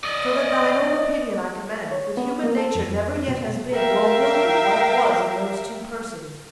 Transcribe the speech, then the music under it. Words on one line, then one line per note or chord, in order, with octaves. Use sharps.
So that thine own opinion I commend, That human nature never yet has been, Nor will be, what it was in those two persons.
D5 D#5
C#5
B3
A#3
A4
F2
B2
A#4 E5 F5 G5